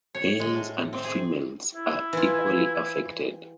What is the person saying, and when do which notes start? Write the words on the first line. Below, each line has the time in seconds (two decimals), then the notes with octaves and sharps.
Males and females are equally affected.
0.15 C#5
0.40 G#3
0.54 A2
0.93 C4
1.04 G#4
1.74 E4
2.13 E3 F4